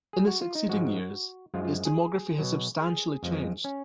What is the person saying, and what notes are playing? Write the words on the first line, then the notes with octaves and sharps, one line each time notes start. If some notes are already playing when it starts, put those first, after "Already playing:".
In the succeeding years, its demography has substantially changed.
G#4
F#4
F4
D#4
G#2 F3 G#3 F#4
F#2 F3 G#3 F4
F4
G#4
B2 F#3
G#4
F2 F3 G#3
C#4